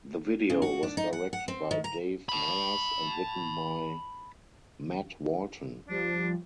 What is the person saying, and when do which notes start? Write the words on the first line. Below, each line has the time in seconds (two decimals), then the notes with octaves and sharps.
The video was directed by Dave Meyers and written by Matt Walton.
0.50 C#3
0.62 F#4
0.83 D4
0.97 D#4
1.13 F#5
1.33 F#5
1.48 C4
1.71 D#3
1.84 A#5
2.29 A5 B5
5.89 F3 G3 D4